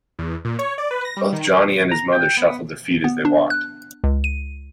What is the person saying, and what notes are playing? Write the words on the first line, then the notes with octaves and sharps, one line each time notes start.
Both Johnny and his mother shuffled their feet as they walked.
E2
A#2
C#5
D5
B4
A#6
G3
D#3
A#5
G5
B3
B3
D4
F#6
C#2
D#7